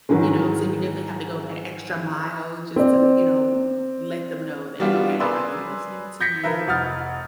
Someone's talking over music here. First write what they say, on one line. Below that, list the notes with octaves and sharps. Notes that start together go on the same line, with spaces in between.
you know, so you definitely have to go that extra mile just to, you know, let them know that, "Okay, I am listening to you,
G#2 D#3 E3 F#3 G#3
C4 D5
E3 G3 B3 D4 F4 F#4
G#4 A#4 B4 D5 C6 E6
G6 G#6 A#6 B6 C#7
F3 A#4 B4 E5
F1 F#5 D#6 F6 A6